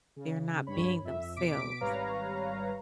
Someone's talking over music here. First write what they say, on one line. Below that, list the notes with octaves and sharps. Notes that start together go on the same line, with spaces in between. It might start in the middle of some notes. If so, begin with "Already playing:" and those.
they're not being themselves,
C#3
G2 C#5 B5
F2 E5
B2 D6 B6 D7
G#1 G3 B4 C#5 F5 A#5